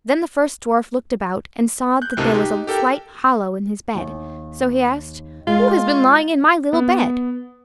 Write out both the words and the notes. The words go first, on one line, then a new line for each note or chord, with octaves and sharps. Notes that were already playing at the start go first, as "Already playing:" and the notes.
Then the first dwarf looked about, and saw that there was a slight hollow in his bed, so he asked, "Who has been lying in my little bed?"
F#6 G6
C#2 A2 C3 D#4 A#4 A5
D#4 G4
G4 A4 A#4 G5
D#2
G#3 F4
B3